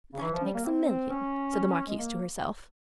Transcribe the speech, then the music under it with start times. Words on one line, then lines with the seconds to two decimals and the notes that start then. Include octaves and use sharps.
"That makes a million," said the marquise to herself.
0.14 C#3
0.21 E3
0.33 F3
0.44 G3
0.54 A#3
0.65 C4
0.88 C4
1.10 C#4
1.87 G#3
1.98 A#3